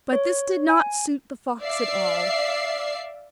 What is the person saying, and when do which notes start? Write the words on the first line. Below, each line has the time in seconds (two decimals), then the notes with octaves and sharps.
But this did not suit the fox at all.
0.13 C#5
0.69 G#5
1.62 D5 E5 F5 C7